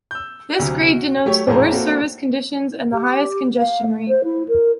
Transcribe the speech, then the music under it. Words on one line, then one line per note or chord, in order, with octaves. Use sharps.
This grade denotes the worst service conditions and the highest congestion rate.
E6 G6
D2 C3 F#3
F#4
F#3 A3 G4 C#5
A#1 F2 A2 G#4 C5 A#5
A#3 C4 E4 F#4 A4
G4
F5
A3
C5
E4
A#4